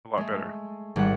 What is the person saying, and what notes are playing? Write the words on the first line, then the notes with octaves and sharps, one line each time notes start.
a lot better.
G#3 A3
G#1 G3 G#3 F#5